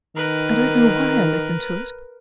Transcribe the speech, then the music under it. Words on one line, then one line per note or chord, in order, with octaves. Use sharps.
I don't know why I listened to it.
D#3 A#4 B4